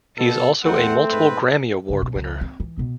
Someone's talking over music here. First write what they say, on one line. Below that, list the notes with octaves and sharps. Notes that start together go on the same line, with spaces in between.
He is also a multiple Grammy Award winner.
B2 A4
E2 A3 C4 F#5
G#2 B4
F#2 C#3
B2
C#2
C4
E3
B2 B3